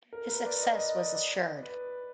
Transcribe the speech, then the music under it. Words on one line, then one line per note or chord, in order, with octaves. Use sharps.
His success was assured.
A#4
B4
D5
D#5
D#5
D5
B4